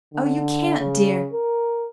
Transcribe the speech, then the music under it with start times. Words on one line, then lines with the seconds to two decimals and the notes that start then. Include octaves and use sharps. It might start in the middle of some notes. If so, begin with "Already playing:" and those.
'Oh, you can't, dear!
0.14 D3
0.78 C#3
1.33 A#4